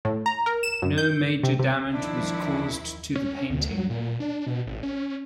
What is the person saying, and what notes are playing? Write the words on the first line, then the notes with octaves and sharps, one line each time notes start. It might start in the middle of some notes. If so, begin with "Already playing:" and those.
No major damage was caused to the painting.
A2
A#5
A#4
E7
F#2
G6
C3
C3
D#3 F3 D4 E4
C#4
D2
F#3
A#2
D4
B2
A1
C#4